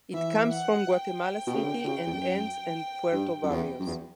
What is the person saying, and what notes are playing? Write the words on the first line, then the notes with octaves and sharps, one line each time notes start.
It comes from Guatemala City and ends end Puerto Barrios.
E3 E5
F#5
G5
B2
C#3
D3
D3
C#3
E2
F#2
G2
F#2
E2
F#2
E2